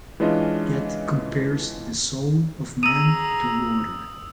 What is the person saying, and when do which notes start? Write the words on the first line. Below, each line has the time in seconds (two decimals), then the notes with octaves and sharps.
Goethe compares the soul of man to water.
0.20 E3 G#3 C#4 D4 F4 D#5
2.83 G#4 A#5 D#6 E6 D#7